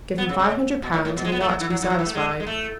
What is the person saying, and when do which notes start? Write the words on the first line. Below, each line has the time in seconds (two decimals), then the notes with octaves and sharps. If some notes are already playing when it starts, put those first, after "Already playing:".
Give him five hundred pounds, and he ought to be satisfied.
0.18 B3
0.29 C#3
0.39 C#3
0.83 B2
0.94 A2
1.05 A2
1.17 B2
1.25 G#3
1.32 B3
1.40 A3
1.49 F#3
1.60 E3
1.70 F#3
1.82 E3
1.90 F#3
1.99 E3
2.06 A3
2.15 G#3
2.40 G#3
2.47 A3